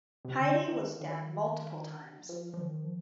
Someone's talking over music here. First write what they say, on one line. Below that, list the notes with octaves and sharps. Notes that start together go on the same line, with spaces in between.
Heidi was stabbed multiple times.
C3
D3
D#3
D#3
F3
F3
D#3
F3